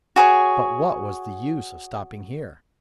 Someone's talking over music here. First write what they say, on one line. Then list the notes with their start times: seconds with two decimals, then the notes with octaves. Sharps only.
But what was the use of stopping here?
0.16 F#4 G#4 C5 C#5